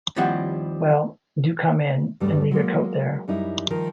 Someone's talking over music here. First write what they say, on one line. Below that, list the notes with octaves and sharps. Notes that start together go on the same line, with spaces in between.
Well, do come in, and leave your coat there.
D#2 F3 G3 C4 E4 F#5
E2 G2 C#3 G3 A3
F#3 G#3 A#3
F#2 G3 D#4 E4
D#3 F3 D#4 A#4